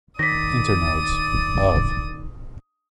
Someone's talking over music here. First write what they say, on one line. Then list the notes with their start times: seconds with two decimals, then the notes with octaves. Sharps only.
Internodes, of.
0.19 D#3 D5 D#6 A#6 B6